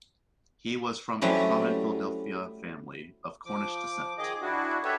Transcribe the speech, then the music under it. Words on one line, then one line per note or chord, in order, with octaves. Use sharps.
He was from a prominent Philadelphia family of Cornish descent.
F#3 G3 A3 C4 C#4 E4
F3 D6
D#3 G#4 D#5 D6
D4 E4 F#4
G4 A4 B4 C#5 E5